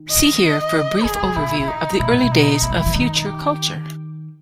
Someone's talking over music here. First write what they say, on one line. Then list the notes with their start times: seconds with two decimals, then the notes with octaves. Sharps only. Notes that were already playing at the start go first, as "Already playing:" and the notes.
See here for a brief overview of the early days of Future Culture.
Already playing: D#3
0.10 D#5
1.04 C#3 G#4
1.14 D#3
1.23 C#3
1.37 B2 E4
1.59 B2
1.67 C#3 D#4
1.99 B2 E4
2.12 A#2
2.24 B2
2.31 D#4
2.62 A#3 E4
2.70 G#3
2.78 G3
2.86 E3
2.94 D#3 D#4
3.26 G4